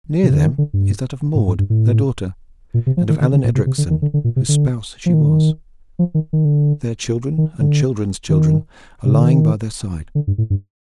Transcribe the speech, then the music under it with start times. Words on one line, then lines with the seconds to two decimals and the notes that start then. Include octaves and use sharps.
Near them is that of Maude their daughter, and of Alleyne Edricson, whose spouse she was; their children and children's children are lying by their side.
0.23 C3
0.33 D3
0.43 D#3
0.58 D3
0.73 G2
1.35 A2
1.48 G2
1.59 G2
1.70 A2
2.74 A#2
2.87 C3
2.97 F3
3.09 D#3
3.21 D3
3.32 D3
3.44 A#2
3.55 C3
3.66 C3
3.78 D3
3.90 D#3
4.02 D3
4.14 D3
4.24 A#2
4.36 C3
4.49 D3
5.06 F3
5.14 D#3
5.22 D3
5.29 D#3
5.99 F3
6.14 D#3
6.33 D#3
6.45 D3
7.38 D#3
7.61 D3
8.29 D#3
9.05 C3
9.14 D3
9.23 D#3
10.15 D3
10.27 G2
10.38 A2
10.50 G2